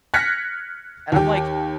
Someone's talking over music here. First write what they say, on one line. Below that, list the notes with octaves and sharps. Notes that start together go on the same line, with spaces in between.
and I'm like,
F6 F#6 G#6 A#6 B6 C#7
D#2 G4